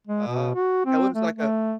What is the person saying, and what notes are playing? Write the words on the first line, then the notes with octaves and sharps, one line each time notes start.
Uh, Katt Williams like a
G#3
B2
F#4
C4
A3
A3